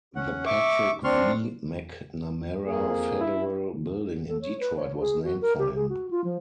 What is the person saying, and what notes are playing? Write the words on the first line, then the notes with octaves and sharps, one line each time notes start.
The Patrick V. McNamara Federal Building in Detroit was named for him.
C#4 F#5
E5 C#6 D6
C4 D4 C6 C#6 F6
F2 A#3 G#4
E4
A4
C#5
B4
C#5
G#4
F#4
A#4
G4
G#4
F#4
F4
F3